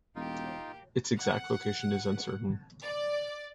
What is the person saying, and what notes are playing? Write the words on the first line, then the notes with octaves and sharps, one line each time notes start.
Its exact location is uncertain.
E1 A#3 D#4 F4 G4
F#5
D5